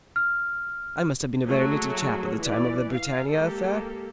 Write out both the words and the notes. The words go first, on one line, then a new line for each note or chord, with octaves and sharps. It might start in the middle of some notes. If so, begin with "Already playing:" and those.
I must have been a very little chap at the time of the Britannia affair.
F6
F#3 A3 A#3 F#4 G#4
E3 D5
F5
G#3 A#3 G4 A4